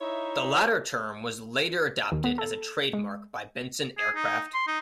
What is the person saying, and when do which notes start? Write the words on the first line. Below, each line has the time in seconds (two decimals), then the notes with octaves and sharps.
The latter term was later adopted as a trademark by Bensen Aircraft.
0.01 D#4 E4 C#5 D#5 E5
2.12 D#2
2.24 B3
2.38 A4
2.93 G#3
3.98 G#4
4.15 D#4
4.54 C6
4.67 D#4